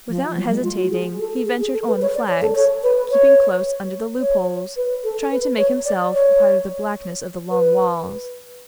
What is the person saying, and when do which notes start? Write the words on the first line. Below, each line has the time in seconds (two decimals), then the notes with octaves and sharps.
Without hesitating, he ventured on the flags, keeping close under the loopholes, trying to make himself part of the blackness of the long walls.
0.09 F3
0.37 F#3
0.51 G#3
0.64 F4
0.77 F#4
0.91 G#4
1.19 A4
1.46 G#4
1.61 G#4
1.74 A4
1.87 B4
2.02 C#5
2.15 D5
2.29 C#5
2.42 A4
2.55 C#5
2.83 B4
3.11 C#5
4.20 C#5
4.76 B4
5.04 A4
5.31 B4
5.58 C#5
5.86 D5
6.13 C#5
7.51 B4